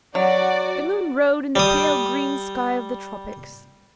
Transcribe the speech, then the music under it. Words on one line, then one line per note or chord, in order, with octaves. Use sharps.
The moon rode in the pale green sky of the tropics.
F#3 F#4 D5 F#5
G3 D#6